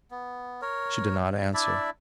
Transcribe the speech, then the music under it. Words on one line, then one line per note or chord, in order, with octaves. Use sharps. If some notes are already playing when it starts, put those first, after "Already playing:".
She did not answer.
B3
A#4 C#5
D4 E4 D5 E5